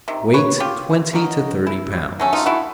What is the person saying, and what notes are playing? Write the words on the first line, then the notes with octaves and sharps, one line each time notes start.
Weight twenty to thirty pounds.
C3 D#3
B4 C#5
F4 G4
B2 F#3 A#3 D#4
E4
F#3 A3 C#4
D#4 F4
E4 F#4